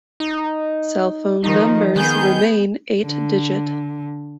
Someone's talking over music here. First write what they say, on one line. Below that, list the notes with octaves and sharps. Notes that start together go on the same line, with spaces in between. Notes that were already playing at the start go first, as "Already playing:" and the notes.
Cell phone numbers remain eight-digit.
D#4
D#3 F3 D#4
D#3 B3 G#4 G6
D3